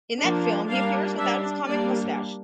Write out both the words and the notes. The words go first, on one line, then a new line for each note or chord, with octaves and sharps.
In that film he appears without his comic moustache.
F3 A#3 D4
G3 A#3 D4 F5
G3 D4 E5
G3 A#3 D4 D5